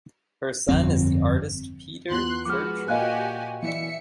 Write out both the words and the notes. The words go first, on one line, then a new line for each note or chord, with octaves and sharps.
Her son is the artist Peter Churcher.
G1 F2 C4
E2 B3 F4 C6 F#6
F3 G#3 B3 F#4 D6 F6
A#2 F#4 G4 D#5 F5 G#5 F#6
E3 D5 E5 C#7